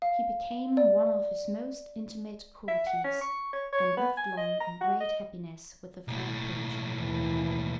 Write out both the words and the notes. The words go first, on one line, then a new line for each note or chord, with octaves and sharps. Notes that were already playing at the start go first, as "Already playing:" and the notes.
He became one of his most intimate courtiers, and lived long in great happiness with the fair Persian.
F5
D5
E5
F#5
C#4
C#6
C#5
C#5
B3
G#5
D#5
A#5
F#4
D#5
B1 A2
D#2 E3